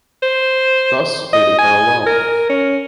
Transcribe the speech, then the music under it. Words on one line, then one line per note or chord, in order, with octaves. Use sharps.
Thus leaving her alone.
C5
D#5
G#5
A#4
C#4